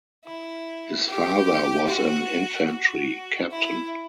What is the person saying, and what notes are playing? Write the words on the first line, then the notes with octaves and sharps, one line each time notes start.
His father was an infantry captain.
E4
G4
F#4
F#4
E4